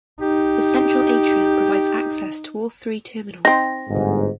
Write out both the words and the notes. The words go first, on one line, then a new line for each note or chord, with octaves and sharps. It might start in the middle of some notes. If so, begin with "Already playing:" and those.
The central atrium provides access to all three terminals.
D#4 G4
C4 D#4 A#6
G1 G#2